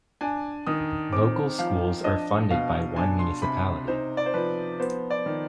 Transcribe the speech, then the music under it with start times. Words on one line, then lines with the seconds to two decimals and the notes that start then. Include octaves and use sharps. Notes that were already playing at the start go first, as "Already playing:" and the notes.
Local schools are funded by one municipality.
0.21 D4 G#5
0.67 D#3 D#6
1.12 C4 D6
1.59 F3 F5
2.04 D4 D#5
2.50 B2 F5
2.96 D4 G#5
3.19 C6
3.42 C3 B5
3.88 D#4 C5
4.17 D5
4.26 C5
4.34 F3 B4
4.80 B3 C5
5.11 D5
5.26 D#3